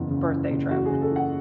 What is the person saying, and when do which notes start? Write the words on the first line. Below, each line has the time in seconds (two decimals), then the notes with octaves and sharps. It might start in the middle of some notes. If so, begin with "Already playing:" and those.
birthday trip
Already playing: F#1 E2 E3
0.11 C#3
0.31 E3
0.51 F#1
0.70 E2 F#4
0.86 G#4
0.91 C#3
1.02 A4
1.11 E3 F#5